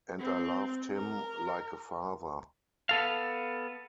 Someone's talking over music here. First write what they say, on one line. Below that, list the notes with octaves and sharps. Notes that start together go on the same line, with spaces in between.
And I loved him like a father.
C4
A#4
B3 A4 F5